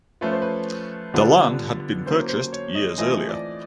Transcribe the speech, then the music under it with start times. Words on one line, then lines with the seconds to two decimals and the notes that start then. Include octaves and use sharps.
The land had been purchased years earlier.
0.21 F3 A3 C#4 F4 B4
0.32 C5
0.42 B4
1.14 D3 G3 B3 D4 F4
2.06 F#3 A#3 C#4 C5
2.28 C5
2.53 C#5
2.75 D#5
2.98 E3 A3 C4 F4 D#5
3.29 D5